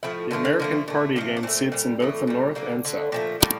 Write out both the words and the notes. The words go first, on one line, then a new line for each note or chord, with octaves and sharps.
The American Party gained seats in both the North and South.
A2 F3 A3 E4
D3 F3 A3 D4
A#3
D3 F3 A3 A#3
A#2 A3
C3 F3 A3 D4
D4
A#2 A3 C4
A#2 G3
A2 E3 A3
A#2 G3
D3 G3 A#3
D3 A3
A#2 F3 A3 C4
A2 G3 A#3